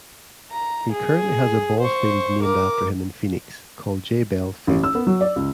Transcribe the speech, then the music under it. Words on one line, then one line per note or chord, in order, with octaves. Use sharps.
He currently has a ballfield named after him in Phoenix, called Jay Bell Field.
A#5
G#4
C5 C#6
A#4 D6
A1
E6
B3
F#3
D5
C#2